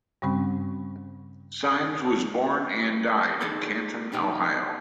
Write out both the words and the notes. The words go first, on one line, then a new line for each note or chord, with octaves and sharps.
Saimes was born and died in Canton, Ohio.
G2 C#3 G3 C4 C#4
D4 D#4 G#4 A4 B5 C6
B3 D4 D#4 G4 F#5